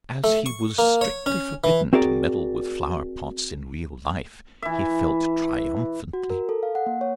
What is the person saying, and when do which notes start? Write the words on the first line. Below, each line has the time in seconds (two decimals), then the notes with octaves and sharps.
As he was strictly forbidden to meddle with flower-pots in real life, he felt triumphantly wicked.
0.24 A3
0.46 C#6
0.78 A#3
1.01 C#5
1.26 C#4
1.64 E3
1.93 C4 F#4 G#4 A#4 D5
4.62 E3 E5
6.13 F#4
6.30 A#4
6.49 A4
6.63 F5
6.75 F#5
6.86 A#3
7.01 C#5